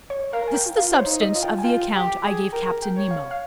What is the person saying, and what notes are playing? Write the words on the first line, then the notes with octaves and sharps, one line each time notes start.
This is the substance of the account I gave Captain Nemo.
C#5
A#4 F5
G#5
G5
F4 F5
C5
C#5
D#4
D#5
F4
G5
G#5
F4 G5
G4
G#4
A#4 G5
G5
C#5
F5
F5